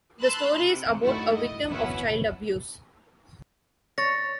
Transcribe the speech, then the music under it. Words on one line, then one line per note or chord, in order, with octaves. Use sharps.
The story is about a victim of child abuse.
A5 B5 C6 E6 F#6 A6
C3
G2 D#3 A3 E4 F#4
D#5
B3 C#4 E4 F#4
C#5 A6 A#6